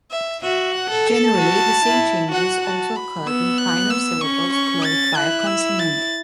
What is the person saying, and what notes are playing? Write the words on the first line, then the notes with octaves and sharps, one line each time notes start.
Generally, the same changes also occurred in final syllables closed by a consonant.
E5
F#4 E5
F#5
A4
A5
F#4
E4
F#4 F#5
A5
B5
B3 E6
F#6
E6
C#4 C#6
C#6
A6
E4 F#6
E6
A6